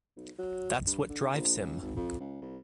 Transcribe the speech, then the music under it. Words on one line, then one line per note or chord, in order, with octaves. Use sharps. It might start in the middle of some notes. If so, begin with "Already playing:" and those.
That's what drives him.
B1
F#3
G2
D3
A#1
C#2
G#1
F2
C#2
C2